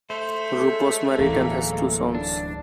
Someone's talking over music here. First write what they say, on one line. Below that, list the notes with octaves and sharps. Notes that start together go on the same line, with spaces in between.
Roop was married and has two sons.
A3 C5
G#3 C#4 A4
D1 A2 E3 A#3
D4